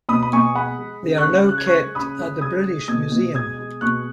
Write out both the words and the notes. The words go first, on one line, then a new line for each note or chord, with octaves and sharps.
They are now kept at the British Museum.
B2 B5 D#6
B5
B2 G#5 C#6
G#3 F#5 B5
G#3
C#3
C#6 F#6
C#3
G#3 F#6
G#6
C#6 F#6
G#3
C#3 B5 D#6
C#3
G#3 D#6 G#6
G#3
B2 D#6 G#6
B2
G#3 D#6 G#6
G#3
B2 C#6 F#6